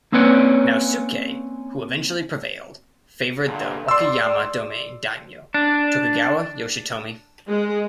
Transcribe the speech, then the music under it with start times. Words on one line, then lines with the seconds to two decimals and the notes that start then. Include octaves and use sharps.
Naosuke, who eventually prevailed, favored the Wakayama Domain daimyo Tokugawa Yoshitomi.
0.12 A#3 C4 C#4 B4 C#5 D5
3.45 G2 A#2 D3
3.88 D5 C6 E6
5.54 D4
7.50 G#3